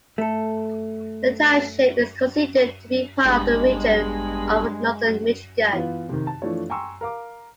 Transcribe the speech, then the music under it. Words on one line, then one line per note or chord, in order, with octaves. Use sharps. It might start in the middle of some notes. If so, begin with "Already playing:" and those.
The township is considered to be part of the region of Northern Michigan.
A3 A4
G#1 G2 G#3 B3
E3 B3 F4
C3 D#3
A5
E3 F3 A3 D4 C#5
G5 G#5 A#5 C6 C#6 E6
A#4 F5 D6